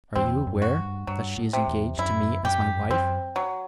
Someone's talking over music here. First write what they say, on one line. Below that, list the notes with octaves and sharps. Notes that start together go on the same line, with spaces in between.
Are you aware that she is engaged to me as my wife?
E2 C4
F#2
F#4
G2
G2 F#3
A2
C3
E2
F#2 E4
F#2 G4
F#2 C4
F#3